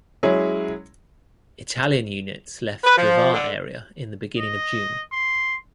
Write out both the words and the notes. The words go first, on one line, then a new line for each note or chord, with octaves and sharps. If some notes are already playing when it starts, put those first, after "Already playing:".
Italian units left Drvar area in the beginning of June.
F#3 G#3 C#4 E4 G#4
B4
F3
D3
D#5
C6